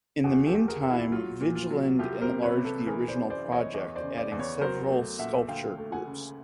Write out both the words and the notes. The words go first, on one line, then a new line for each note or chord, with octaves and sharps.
In the meantime Vigeland enlarged the original project, adding several sculpture groups.
E2 F#4 G#4
G4 A4
E2
G#4 A#4
E2
E4 F#4
F#3 F4
A#2
F4
F#3
C2 F4 G4
A#4 C5
C3
B4 C#5
C3
A4 B4
E3 G#4 A#4
C5 D5
F#2
C5 D5
E3
C#5 D#5
E2 C#5 D#5
C5 D5
C#3
C5 D5
E2
B4 C#5
F#3 A#4 C5
A3
A#2 E5 F#5
D2 F5 G5
A3
F#5 G#5
C#3